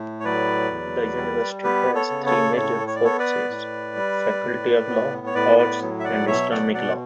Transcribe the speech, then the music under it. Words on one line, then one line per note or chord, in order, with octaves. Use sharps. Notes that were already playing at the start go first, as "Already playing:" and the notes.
The university has three major focuses: Faculty of Law, Arts, and Islamic Law.
Already playing: A2 A3
C#5
F#3 B4 D5
E2
G3
B3 G4 B4
A4 C#5
C#3
A4 C#5
D5
A2 A4 C#5
C#5
D5
B3 A4 C#5
B4 D5
A2
G3
A2
B3
C#5
A2 B4 D5
B4 D5
F#3
E5
D5 F#5
B2 C#5 E5
D5 F#5
B2 D5 F#5